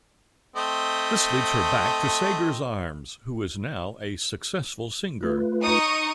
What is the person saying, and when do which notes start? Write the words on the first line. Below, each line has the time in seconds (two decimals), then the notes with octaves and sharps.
This leads her back to Sagar's arms, who is now a successful singer.
0.56 A3 C4 D#5
5.23 A3 F4 B4
5.62 D#4 C#6 D#6